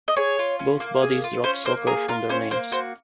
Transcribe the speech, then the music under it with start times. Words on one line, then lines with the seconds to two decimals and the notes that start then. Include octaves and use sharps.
Both bodies dropped "soccer" from their names.
0.08 D#5
0.16 G#4 C#5
0.39 F4
0.59 C#4
0.80 A#3
1.02 G#4
1.24 F4
1.44 C#4 C5
1.65 A#3 C5
1.87 G#4 A#4
2.08 F4 A#4
2.29 C#4 C5
2.51 A#3 C5
2.71 F#4 C5